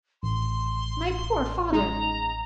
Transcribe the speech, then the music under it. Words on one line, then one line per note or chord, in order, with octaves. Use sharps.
My poor father!
A1 C6
C#3 G#3 D#4 A#5